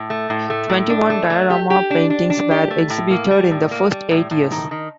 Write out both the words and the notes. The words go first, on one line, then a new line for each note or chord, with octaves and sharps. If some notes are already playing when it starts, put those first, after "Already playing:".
Twenty-one diorama paintings were exhibited in the first eight years.
Already playing: A2
A3
A2
A3
A2
D4
A3
A3
G4
G4
D4
D4
D4
G4
A3
A2
A#3
G3
A2
A#3
G3
A2
A2
D#3
D#3